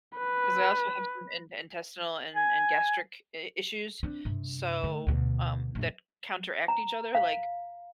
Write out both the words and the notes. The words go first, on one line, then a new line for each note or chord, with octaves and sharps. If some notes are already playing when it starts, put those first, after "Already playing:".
'cause I also have some in intestinal and and gastric i issues, so, um, that counteract each other like,
B4
G#5
C4 D4
G2 C3
D3 A3
D2 B2
A#1 F#2
A#5
F5